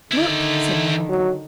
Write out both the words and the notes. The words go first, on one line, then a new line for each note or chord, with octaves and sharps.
"Look!" said my uncle.
D3 D#3 E4 D5
F#3